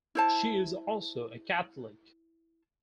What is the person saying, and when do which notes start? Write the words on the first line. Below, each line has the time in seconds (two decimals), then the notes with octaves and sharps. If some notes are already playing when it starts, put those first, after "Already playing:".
She is also a Catholic.
0.15 E4 C5 A5